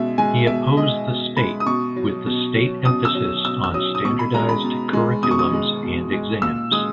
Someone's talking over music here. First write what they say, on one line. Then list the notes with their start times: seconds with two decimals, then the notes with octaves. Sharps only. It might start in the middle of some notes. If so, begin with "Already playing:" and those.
He opposed the state with the state emphasis on standardised curriculums and exams.
Already playing: B2 G#3 E5
0.18 G#3 G#5
0.47 B2 E5
0.77 G#3 D#5
1.07 B2
1.37 G#3 B5
1.60 D#6
1.66 B2 C#6
1.96 F#3
2.26 B2
2.56 F#3
2.85 B2 D#6
3.05 E6
3.15 F#3
3.44 B2 E6
3.64 E6
3.74 F#3 D#6
3.95 D#6
4.04 B2 C#6
4.19 B5
4.34 G#3 A#5
4.49 B5
4.64 B2
4.93 G#3
5.23 B2 D#6
5.31 C#6
5.39 D#6
5.53 G#3
5.83 B2
6.12 G#3
6.42 A#2 E6
6.72 G#3 D#6